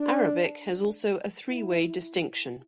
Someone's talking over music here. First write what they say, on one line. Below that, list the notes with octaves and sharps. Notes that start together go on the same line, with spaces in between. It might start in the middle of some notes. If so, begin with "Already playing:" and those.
Arabic has also a three-way distinction.
Already playing: D4
E4